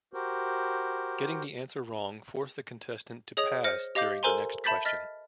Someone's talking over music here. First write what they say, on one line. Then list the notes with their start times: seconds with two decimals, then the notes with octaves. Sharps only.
Getting the answer wrong forced the contestant to pass during the next question.
0.14 F#4 G4 A#4 C5
3.37 G#4 C#5 D#5 D#6 F7
3.64 C5 F6 A#6 C#7
3.95 G4 D#5 F5 D6 G6
4.23 A4 A#4 C5 G#5 A#5 C6
4.64 E5 A5 B5 G6 A6 B6
4.85 D#5 F6 A6 B6